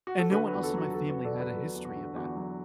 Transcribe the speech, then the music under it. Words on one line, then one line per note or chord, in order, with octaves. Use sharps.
And no one else in my family had a history of that.
F#4
A4
D3 F#4 B4
F#4 B4
E2
A4
F#3 F#4
E2 A4
F#4 B4
D3
A4 D5
E2
F#4 B4
F#3 A4
E2
F#4
D3
E2 F#4
F#3